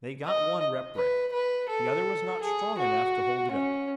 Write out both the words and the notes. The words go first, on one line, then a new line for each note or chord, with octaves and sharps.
They got one rep ray. The other was not strong enough to hold it up.
D#5
B4
B4
A4
G#4
F#4
C#4